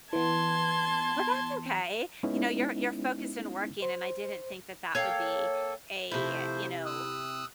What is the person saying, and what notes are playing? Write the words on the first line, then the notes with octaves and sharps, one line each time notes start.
Well, that's okay, you know, you're you're focused on working, and I didn't think that that would be a, you know
E3 B3 A5 C6 G#6
G#3 B3 C#4 D#4 E4
C5
A#3 A4 C#5 F5 G5
C3 F3 A3 E4 C5
D#6 E6 F#6